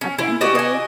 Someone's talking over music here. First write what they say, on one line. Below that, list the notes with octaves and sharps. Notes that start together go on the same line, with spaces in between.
at the end of the day,
C#4
E4
F#4 G4 D5 D#5
D#5 G#5